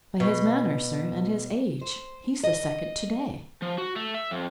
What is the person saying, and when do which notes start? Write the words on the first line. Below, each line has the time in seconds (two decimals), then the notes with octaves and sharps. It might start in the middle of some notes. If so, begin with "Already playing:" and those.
"By his manner, sir, and his age; he's the second to-day."
0.20 B2
1.81 C5
2.43 D#5
3.62 F3
3.78 F#4
3.96 A3
4.14 E5
4.31 F2